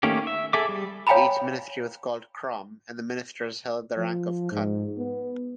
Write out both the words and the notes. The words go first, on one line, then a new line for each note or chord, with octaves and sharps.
Each ministry was called "Krom" and the ministers held the rank of "Khun".
D#3 A3 A#3 C#4 G4
E5
G#4 A4 E5 D6
G3
C#5 F5 G5 G#5 A#5 B5
F3
G#2
B3